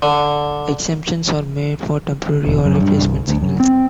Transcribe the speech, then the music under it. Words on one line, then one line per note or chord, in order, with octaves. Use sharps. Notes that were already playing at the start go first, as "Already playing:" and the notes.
Exemptions are made for temporary or replacement signals.
D3
E1
F#2
G2
C2
D2
F#2
C4